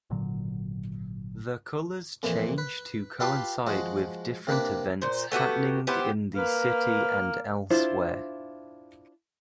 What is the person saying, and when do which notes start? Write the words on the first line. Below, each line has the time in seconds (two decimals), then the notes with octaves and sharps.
The colors change to coincide with different events happening in the city and elsewhere.
0.10 G#1 A#2 D3 F#3
2.23 F2 A#2 E3
2.58 B4
3.20 F4 G4 B4 A5 B5 C6
3.67 F3 G#3 F#4
4.47 C3 A#3 D4 B4
5.02 A#2 C5
5.32 A3 B3 F#4 G4
5.87 B3 E4 G4 C5
6.36 A#3 B4 F6
7.70 D4 E4 F4 C5